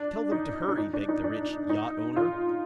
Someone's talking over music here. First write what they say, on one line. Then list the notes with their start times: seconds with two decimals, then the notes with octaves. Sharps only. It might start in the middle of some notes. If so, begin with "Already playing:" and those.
"Tell them to hurry," begged the rich yacht owner.
Already playing: D4
0.32 D#4
0.68 D4
0.77 D#4
0.93 D4
1.08 D#4
1.24 D4
1.69 D#4
2.16 F4